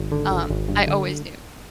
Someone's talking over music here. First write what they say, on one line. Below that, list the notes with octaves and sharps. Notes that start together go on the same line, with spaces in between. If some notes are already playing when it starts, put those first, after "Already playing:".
um, I always knew,
Already playing: G#1
D3
G#1
G#1
G2
D3